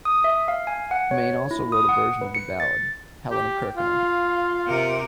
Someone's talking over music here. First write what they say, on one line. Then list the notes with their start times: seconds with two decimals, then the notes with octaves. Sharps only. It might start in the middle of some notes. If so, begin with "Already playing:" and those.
Mayne also wrote a version of the ballad, "Helen of Kirkconnel".
0.05 D#6
0.24 E5
0.48 F5
0.67 G#5
0.91 F#5
1.11 C#5
1.51 E4
1.72 D#6
1.89 F#5
2.21 B4
2.35 C#7
2.60 A6
3.31 G4 G5
3.77 F4 F5
4.66 C3 A#4